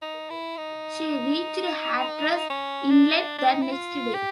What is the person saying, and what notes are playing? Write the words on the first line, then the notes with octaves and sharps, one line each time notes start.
She reached Hatteras Inlet the next day.
D#4
E4
D#4
C#4
D4
D4
D#4
E4
F4
G4